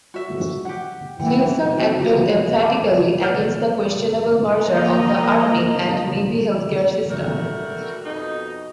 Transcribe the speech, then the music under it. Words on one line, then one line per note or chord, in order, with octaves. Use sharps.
Nilson acted emphatically against the questionable merger of the army and navy healthcare system.
F#4 E5
G4 F#5
D#3 E3 F#3 A#3 F#5 G5
F#3 C4
F3 F#4 G4 B4
F5 G#5 A5 B5 D6
B3 D5 F6 G6 A6
F3 A#3 D#5 A#5
G3 A3 F#4 A#4
F2 B2 D#4